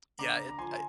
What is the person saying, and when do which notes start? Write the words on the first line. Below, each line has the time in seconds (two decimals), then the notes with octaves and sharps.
Yeah, it I uh,
0.19 D3 A#5 D6
0.40 D3
0.49 A#5
0.58 F3 G#5 C6